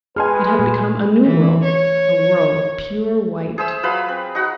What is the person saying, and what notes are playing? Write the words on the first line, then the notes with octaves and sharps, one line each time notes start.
It had become a new world, a world of pure white.
G#3 G#4 B4 G#5 C6 F6
A#2 G4
E3
C#5
G#4 C5 E5 E6
F#3 F4 B4 B5
C4
D#4 F#4 F#5 B5